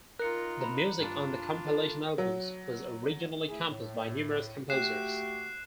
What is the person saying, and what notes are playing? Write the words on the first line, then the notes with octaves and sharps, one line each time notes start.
The music on the compilation albums was originally composed by numerous composers.
D#4 F4 A#4 F#6 C#7
A#5 B5
G2 D4 F4
A4
F#3
A3 E4 G#4
A2
A3 F#4 G4 F#6 C7 E7